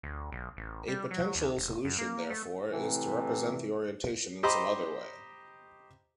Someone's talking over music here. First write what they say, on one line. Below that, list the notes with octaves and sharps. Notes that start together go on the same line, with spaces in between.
A potential solution therefore is to represent the orientation in some other way.
D2
B1
A1
G3
F#3
D#2
E1
F#2
A#3
A3
A2 C3 E3
G4 C5 D#5 A#5 B5 D6